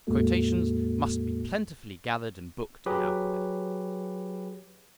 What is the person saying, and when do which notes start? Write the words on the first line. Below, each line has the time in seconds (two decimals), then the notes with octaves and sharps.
Quotations must be plentifully gathered and booked in alphabet.
0.07 E2 A2 G#3 A#3 F#4 A4
2.86 F#3 G4 G#4 B4